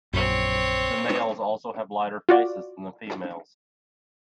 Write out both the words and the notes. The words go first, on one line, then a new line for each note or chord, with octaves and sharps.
The males also have lighter faces than the females.
A#1 F#2 C4 C#5
F4 F#4 D5